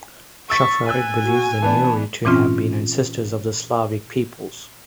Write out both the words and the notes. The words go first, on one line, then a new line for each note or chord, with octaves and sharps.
Schafarik believes the Neuri to have been ancestors of the Slavic peoples.
C#6 E6 A6 B6
G#5 E6 F#6
F#4
E3 B3 D4 A5
A#2 E3 C4 C#4 F4